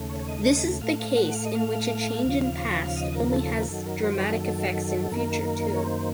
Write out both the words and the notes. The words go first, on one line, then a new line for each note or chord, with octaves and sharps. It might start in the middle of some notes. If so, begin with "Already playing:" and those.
This is the case in which a change in past only has dramatic effects in future, too.
Already playing: D#2 C#3 A3
C#5
C#5
D#5
D#5
A2 A3 F5
F5
F#5
F5
D#5
F5
D#2 C#3 F3
D#5
A#4
A4
A#4
F#2 D#3 F#3 A4
A#4
C5
A4
A4
F#2 D#3 A#3 A#4
C#5
C5